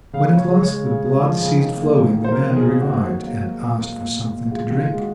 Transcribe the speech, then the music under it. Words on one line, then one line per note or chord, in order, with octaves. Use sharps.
When at last the blood ceased flowing, the man revived and asked for something to drink.
C#3 F5
C#3
C#5
G#3
C#5
G#3
C#3
G#3
F3
C#3
D#3
A#3
D#3
D#3
C5
F#3 A#4
D#3
G#4
A#3
F#4
D#3
F#3
A#3
F#3
A#2
A#3
A#2
A#2
A#2
G#3 F4
D#3 F4
G#3
F#4